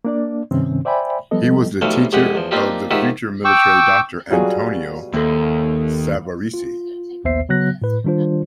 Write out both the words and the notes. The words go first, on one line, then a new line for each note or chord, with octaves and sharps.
He was the teacher of the future military doctor Antonio Savaresi.
A#3 D4 D5
G2 C3 D#3 C4 C#4
C5 D5 E5 G5 G#5 B5
F3 G3 B3 A4 D#5
B1 C3 F3 G3 A3 F5
C2 F2 G#3 G4 G#4 F#5
E2 F3
A#3 C4 D4 D#4 F4 G4
G#2 D#3 F4 G4 E5 F#5
G5 C#6 D6 E6
B2 F#3 G3 F4 F#4 G#4
D#2 A#3 C4 A4
F4
A#1 D#2 B3 C5 E5 C7
C#3 F#3 B3 F#6 A#6
A2 B4
D#3 G3 D4 F4 C5